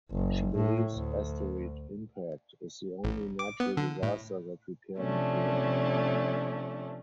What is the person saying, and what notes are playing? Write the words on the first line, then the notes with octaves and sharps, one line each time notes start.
She believes asteroid impact is the only natural disaster that we can prevent.
F#1
A2
D2
A1
D6
B3
D3
A2
C3 F3 A3 C#4 D4